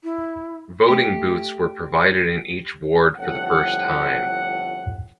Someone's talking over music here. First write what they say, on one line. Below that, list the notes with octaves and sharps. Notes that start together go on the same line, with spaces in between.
Voting booths were provided in each ward for the first time.
E4
A3 G4
G1 F2 A2 F#5